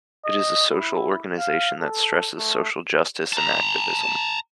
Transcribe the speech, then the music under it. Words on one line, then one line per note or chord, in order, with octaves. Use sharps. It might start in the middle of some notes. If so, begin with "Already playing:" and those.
It is a social organization that stresses social justice and activism.
D#5
E4
F5
A4
A3
A5 A#5